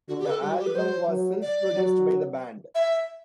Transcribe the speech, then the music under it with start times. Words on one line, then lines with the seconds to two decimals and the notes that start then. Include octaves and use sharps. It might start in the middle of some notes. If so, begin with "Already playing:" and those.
The album was self-produced by the band.
0.08 D3 F#4
0.19 G4
0.26 B4
0.30 A4
0.42 G3 G4
0.50 F#4
0.58 G4
0.67 B4
0.75 F#3 C5
1.08 F#3
1.42 D5
1.75 F#3
2.75 E5